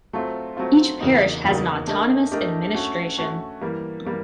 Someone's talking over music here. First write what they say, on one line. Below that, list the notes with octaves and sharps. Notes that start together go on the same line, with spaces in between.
Each parish has an autonomous administration.
F#3 A3 C4 F4
F#3 A3 C4 F4
E2 C#3 F#3 A#3 D#4
E2 C#3 F#3 A#3 D#4
A3 D4 G4 A#4 D#5
A3 D4 G4 A#4 D#5
A3 C#4 F#4
A3 C#4 F#4
E3 G3 A#3
E3 G3 A#3